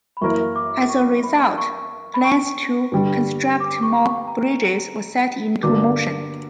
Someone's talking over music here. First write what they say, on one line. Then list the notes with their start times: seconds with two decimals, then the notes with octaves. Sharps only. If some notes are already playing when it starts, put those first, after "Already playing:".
As a result, plans to construct more bridges were set into motion.
0.17 B5
0.21 F#2 E3 A#3 E4 A#4 C#6
0.56 D6
0.89 C#6
1.23 B5
1.58 C#6
2.14 B5
2.24 C#6
2.92 G2 D3 G3
3.60 D6
3.83 C#6
4.05 C#6
4.28 A#5
5.63 G2 D3 A#3 D4 F#4 D6